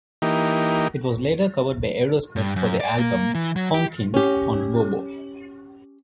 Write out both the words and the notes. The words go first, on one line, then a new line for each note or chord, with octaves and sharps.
It was later covered by Aerosmith for the album "Honkin' on Bobo".
E3 A#3 D#4 G4
G2
F#2
D5
A#3
E3
F#3
G4
C#4 G4